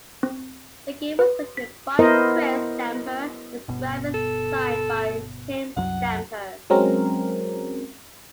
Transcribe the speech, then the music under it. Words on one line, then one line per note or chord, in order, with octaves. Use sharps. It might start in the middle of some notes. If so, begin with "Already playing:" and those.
The game was written by Chris Stamper with graphics designed by Tim Stamper.
C4
B4
B6
B3 E4 A#4 C5 D#5
G1 B2
A4
C2 F#2 F#3 F#5
F#3 G#3 C4 C#4 A#4